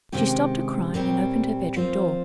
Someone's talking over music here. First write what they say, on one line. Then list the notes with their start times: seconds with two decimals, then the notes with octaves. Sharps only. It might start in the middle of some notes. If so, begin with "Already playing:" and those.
She stopped her crying, and opened her bedroom door.
0.12 C3 D#3 G#3 C#4 G4
0.94 A#2 G3 C4 G4 C#5
1.76 A#2 F3 C4 F4 C5